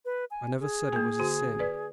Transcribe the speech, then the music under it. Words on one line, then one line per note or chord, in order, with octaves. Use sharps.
"I never said it was a sin."
B4
G#5
G#4
A#3 G#5
D3 F#4
B4 D5